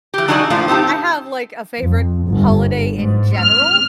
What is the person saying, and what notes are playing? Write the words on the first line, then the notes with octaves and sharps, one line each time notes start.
I have, like, a favorite holiday in general.
E3 G4
F#3 D4 D#4 F#4 G#4 D5
A2 F3 A3 A#3 F4
C4 D#4 G4 A5
F2
G1
G#2
F6